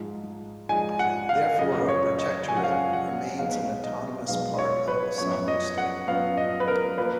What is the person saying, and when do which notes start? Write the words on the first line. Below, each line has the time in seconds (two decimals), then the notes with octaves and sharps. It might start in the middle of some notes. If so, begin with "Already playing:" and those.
Therefore, a protectorate remains an autonomous part of a sovereign state.
Already playing: G#2 F3 G#3 D#4
0.69 G#2 F3 G#3 D#4 G#5
0.99 F#5
1.29 F5
1.59 F#2 C#3 F3 D#5
1.89 C#5
2.18 D#5
2.48 F#2 C#3 F3 G#5
2.57 F#5
2.63 F5
2.72 F#5
2.93 F#5
3.38 B1 B2 G#3 B3 D#4 F5
3.83 D#5
4.28 B1 B2 G#3 B3 D#4 F5
4.54 D#5
4.59 C#5
4.88 B4
5.18 F#2 F3 B3 C#5
5.48 D#5
5.78 F#5
6.08 F#2 F3 B3 F5
6.37 D#5
6.60 B4
6.68 A#4
6.98 F3 A#3 B4